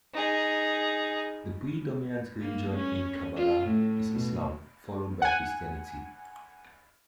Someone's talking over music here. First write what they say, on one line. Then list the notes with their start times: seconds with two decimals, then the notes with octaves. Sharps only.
The predominant religion in Kabala is Islam, followed by Christianity.
0.14 D#4 G#4
2.41 A#3
2.76 C#4
3.36 F4
3.67 A2
4.11 B2
5.22 F#5 G#5